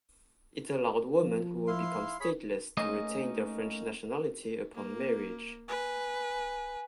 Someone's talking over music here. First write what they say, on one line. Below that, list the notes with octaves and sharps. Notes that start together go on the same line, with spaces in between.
It allowed women who would become stateless to retain their French nationality upon marriage.
F3
E4 F5 C6
G#4 C#5 B5 B6
A3 A#3 C#4 D#4 G#4 D#5
A#3
B4 G#5